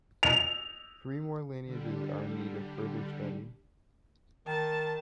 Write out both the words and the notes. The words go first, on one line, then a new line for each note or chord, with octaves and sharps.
Three more lineages are in need of further study.
F7
D3 G3
D#3 A5